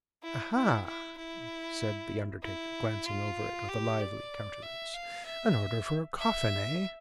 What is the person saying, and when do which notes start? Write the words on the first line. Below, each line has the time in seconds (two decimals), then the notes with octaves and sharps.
'Aha!' said the undertaker, glancing over it with a lively countenance; 'an order for a coffin, eh?'
0.23 E4
0.55 E4
0.86 E4
1.17 E4
2.43 E4
3.06 F4
3.69 G4
4.00 D5
4.63 E5
4.94 F5
5.25 E5
6.19 E5